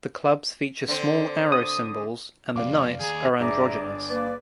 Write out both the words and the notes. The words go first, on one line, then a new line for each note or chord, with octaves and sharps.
The clubs feature small arrow symbols and the knights are androgynous.
D3 C4
D#6
F2 C3 D5 F5 D6
D#2 G#4 A#5
G1 D4 G#4 D5 E5 A#5 D6
A#3 B4 D5